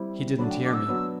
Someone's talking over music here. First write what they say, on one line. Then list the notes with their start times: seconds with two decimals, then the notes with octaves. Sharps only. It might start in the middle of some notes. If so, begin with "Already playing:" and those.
He didn't hear me.
Already playing: G3 C4 E4 G4
0.38 D3 F#3 A3 D4 B5
0.50 G5
0.65 D6
0.74 E6
0.86 F#3 B3 D4